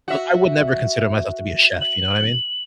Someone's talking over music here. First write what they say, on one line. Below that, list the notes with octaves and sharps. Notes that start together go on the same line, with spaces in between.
like, I would never consider myself to be a chef, you know what I mean?
F#4 E5
F#7